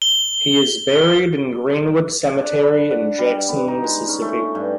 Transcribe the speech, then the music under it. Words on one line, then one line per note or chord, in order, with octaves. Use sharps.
He is buried in Greenwood Cemetery in Jackson, Mississippi.
G7
D4
B5
F#5
G3
B3
D#4
G#3
C#4
A3
G2